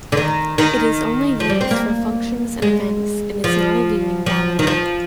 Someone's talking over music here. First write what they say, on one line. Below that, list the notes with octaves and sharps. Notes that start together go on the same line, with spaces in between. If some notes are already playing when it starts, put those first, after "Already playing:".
It is only used for functions and events, and is not a viewing gallery.
D3
D#3
D#3
F3
G3
C4
A#3
G#3
F3
F3
D#3
F3